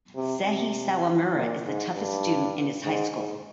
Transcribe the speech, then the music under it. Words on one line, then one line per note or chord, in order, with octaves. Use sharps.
Seiji Sawamura is the toughest student in his high school.
C3
C3
A#2
G#2
G2
G#2
G#2